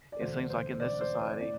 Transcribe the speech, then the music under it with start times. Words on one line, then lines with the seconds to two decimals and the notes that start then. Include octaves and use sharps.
it seems like in this society,
0.12 D5
0.20 E1 D2 D3 C5
0.50 C5
0.80 D5
1.01 C5
1.21 C5
1.40 A2 D5